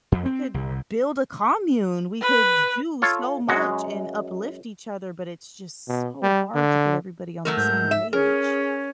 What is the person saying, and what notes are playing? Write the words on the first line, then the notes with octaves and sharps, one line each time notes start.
we could build a commune, we could do so much and uplift each other, but it's just so hard to get everybody on the same page.
F2
C4
C2
B4
F4 A4 C#5
F#2 G#3 F#4
B2
G3
D3
F#3 A3 A#4
G#2 G6
E5
C#4 G#4 A#4